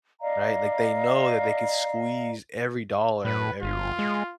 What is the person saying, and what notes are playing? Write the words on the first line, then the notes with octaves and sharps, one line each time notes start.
right? Like, they know that they can squeeze every dollar outta everyone.
D5 D#5 F5 A#5
A2 B4
G1 F4
G#3